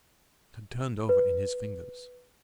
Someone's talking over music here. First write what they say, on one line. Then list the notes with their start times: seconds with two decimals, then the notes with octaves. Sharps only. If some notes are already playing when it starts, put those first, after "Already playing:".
It had turned over in his fingers.
1.09 B4